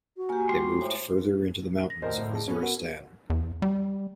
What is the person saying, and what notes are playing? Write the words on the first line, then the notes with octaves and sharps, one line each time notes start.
They moved further into the mountains of Waziristan.
F#4
A#3 G4 A#4 G#5
G#3 F4 G4 C6
A2 G4 C5
A#6
D2 A#4 C5 D#5
A2
G#4 A5
B3 C#4
F#4 A#4 F#5
E2
G3